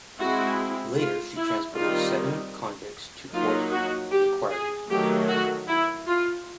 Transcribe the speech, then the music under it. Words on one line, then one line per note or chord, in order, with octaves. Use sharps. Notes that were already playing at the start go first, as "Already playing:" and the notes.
Later she transported seven convicts to Port Macquarie.
G#3 C4 E4 F#4
F4
E4
D#3 G3 C4 D#4 F4
F#3 A#3 D#4 F4
F#4
G4
G#4
D#3 F#3 A3 G4
F#4
E4
F4